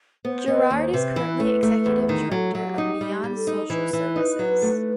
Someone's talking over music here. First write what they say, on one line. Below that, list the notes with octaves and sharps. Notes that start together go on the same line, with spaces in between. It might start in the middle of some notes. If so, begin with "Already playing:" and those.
Gerard is currently executive director of Beyond Social Services.
B3 C5
B3 B4 D#5
D#2 C5
C3 B4
E3
A3
A3
E2
D#3
F#3 A4
F#3
G4
D#4
G3 G4
G3
A4
D#4
E3 B4
E3
D#4
F#3
A3